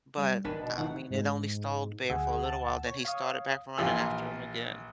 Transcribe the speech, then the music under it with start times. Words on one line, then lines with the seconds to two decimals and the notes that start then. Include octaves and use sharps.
But, I mean, it only stalled the bear for a little while, then he started back running after him again.
0.18 G3
0.45 G#1 D#3 D4 B4 G#5
0.61 B2 D#5 A5
0.78 A2 D#3 D#4 E4 F#5
1.11 G#2
2.10 D2 G#4 F#5 E6
2.45 A5
2.86 C#5
3.05 F5 D#6
3.78 A#1 E3 F4 G4 G#5 E6